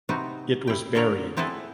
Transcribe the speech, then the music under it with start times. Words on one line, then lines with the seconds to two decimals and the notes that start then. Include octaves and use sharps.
It was buried.
0.09 C3 B3 C4 D#4 F#4
0.67 E4 G5
0.95 D3 A4 A#4 C#5
1.37 B3 C4 E4 G#4 A4 B4